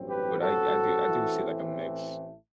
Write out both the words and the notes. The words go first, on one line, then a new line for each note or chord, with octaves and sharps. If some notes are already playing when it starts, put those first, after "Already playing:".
But, I I do I do see, like, a mix.
Already playing: A1 G2 F#3 C4
G4 B4
F#4 A4
A1 A2 E3 A3 C4